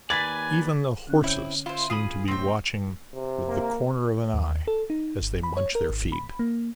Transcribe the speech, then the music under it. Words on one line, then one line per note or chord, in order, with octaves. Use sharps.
Even the horses seem to be watching with the corner of an eye as they munch their feed.
D#2 B4 D5 G#5 G#6 A6 B6
D3 C#4 F#6
C4 E4 C#5 G6
E4 F4 C5
F4 G#4 B5 D#6
C2 A2 C4 G5
C3
A#3
D#2
A4
D#4
G1
B5
C#5
A#4
G#1
B5
A#3